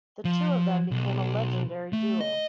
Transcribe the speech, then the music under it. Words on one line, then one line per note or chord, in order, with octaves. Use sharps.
The two of them became a legendary duo.
F3
B1
A3
D#5